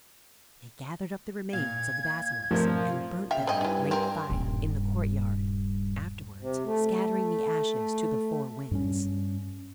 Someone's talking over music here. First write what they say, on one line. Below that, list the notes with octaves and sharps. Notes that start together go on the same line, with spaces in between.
They gathered up the remains of the basilisk, and burnt them in a great fire in the courtyard, afterwards scattering the ashes to the four winds.
A#2 F5 G#6
G2 A#2 F3 A3 C4 D4 A#4
C#3 E5 F5 G5
G2 C4 D#5 G5 G#5
D#4 E4
C4 A#4
D#1 G2
C3
A3
G2 G3 C#4